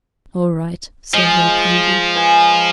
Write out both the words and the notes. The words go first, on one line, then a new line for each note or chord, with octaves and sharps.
"All right," said Hale kindly.
F3 G#3
B4 G#5